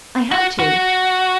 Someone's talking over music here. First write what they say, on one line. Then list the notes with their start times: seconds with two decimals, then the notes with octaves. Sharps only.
I had to.
0.31 F#4
0.59 F#4